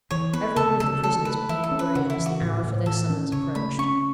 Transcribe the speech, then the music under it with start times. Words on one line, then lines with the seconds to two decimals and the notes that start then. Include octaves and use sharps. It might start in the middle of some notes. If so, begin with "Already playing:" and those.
Every one of the prisoners became grave, as the hour for their summons approached.
0.11 E3 C#5
0.33 B3 B4
0.56 C#3 A4
0.80 C#3 A4
1.02 A3 A4
1.25 A3 B4
1.49 E3 E4
1.64 A4
1.71 C#4
1.79 B4
1.95 C#3 F#4
2.10 E4
2.17 E3
2.26 F#4
2.41 A2
2.64 A2
2.86 E3 A4
3.10 C#4
3.32 C#3 C#5
3.55 A3 B5
3.78 C#4 C#6